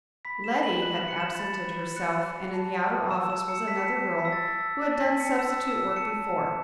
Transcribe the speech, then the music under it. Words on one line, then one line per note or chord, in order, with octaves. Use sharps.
Letty had absented herself and in the outer office was another girl, who had done substitute work before.
B5 B6
E7
B5
F#7
F#6 F#7
E7
F#6 C#7
E7
B5 A6
B5
F#6 C#7
F#6
A5
A5
E6 E7
E7
E6
C#7
A5 B6
C#7
B6
A5
E6 B6
A6
A6
E6
A5 A6
B6
A5
C#7
E6 E7
E6 E7
A5 C#7
A5